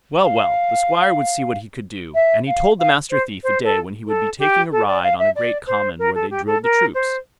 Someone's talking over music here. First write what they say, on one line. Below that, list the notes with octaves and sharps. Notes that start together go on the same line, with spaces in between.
Well, well, the Squire would see what he could do; and he told the Master Thief a day when he would be taking a ride on a great common where they drilled the troops.
F5
E5
F5
F5
C5
C5
A4
A4
G4
A4
D5
F5
E5
D5
C5
A#4
A4
G4
A4
A#4
C5